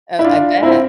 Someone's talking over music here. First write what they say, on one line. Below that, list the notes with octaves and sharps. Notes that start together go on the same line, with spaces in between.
Oh, I bet.
E4
D4 F4
C4 E4